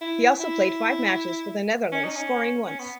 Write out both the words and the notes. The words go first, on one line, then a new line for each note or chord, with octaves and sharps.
He also played five matches for the Netherlands, scoring once.
E4
E4
C#4
D#4
C#4
C#4
B3